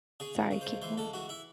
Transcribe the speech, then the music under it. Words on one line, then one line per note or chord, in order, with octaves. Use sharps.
sorry, keep going.
C#3 G#4
C#2
C#3
C5
C#2
E3 C5
C#2 A4
E3 F#4
E4